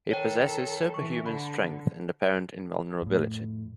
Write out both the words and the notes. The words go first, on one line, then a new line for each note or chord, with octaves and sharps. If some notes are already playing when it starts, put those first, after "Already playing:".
He possesses superhuman strength and apparent invulnerability.
D#3 A4 C#5 G5
E3 C#6
D3 B5
F2 A2